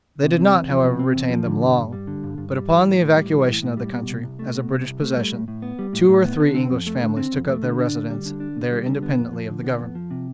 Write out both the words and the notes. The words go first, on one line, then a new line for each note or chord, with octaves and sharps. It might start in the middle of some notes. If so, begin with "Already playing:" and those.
They did not, however, retain them long; but, upon the evacuation of the country as a British possession, two or three English families took up their residence there independently of the Government.
C3
C4
E2
F3
C3
C4
E2
F3
D3
G2
G2
G3
D3
G2
G2
G3
E3
A2
A2
G3
E3
A2
A2
G3
B2
C2
C2
A3
B2
C2
C2
A3
G3
A2
A2
B3
G3
A2
A2
B3
D3
C4
F2
A3
D3
C4
F2
A3
D3
D4
D2
G3
D3
D4
D2
G3
D3
B3
F2
F3
D3
B3
F2
F3
C3